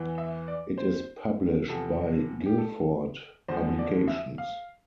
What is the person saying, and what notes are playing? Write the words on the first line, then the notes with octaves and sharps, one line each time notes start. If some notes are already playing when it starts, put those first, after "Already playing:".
It is published by Guilford Publications.
Already playing: E2 E3
E5
D5
C5
E2 C3 F3 A4
G4
A4
E2 D3 F3 C5
D5
E5
F5